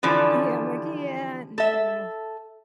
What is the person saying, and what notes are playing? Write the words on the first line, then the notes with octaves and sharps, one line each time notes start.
Yeah, I'm like "Yeah, no,"
D3 E3 F3 G3
A4 E5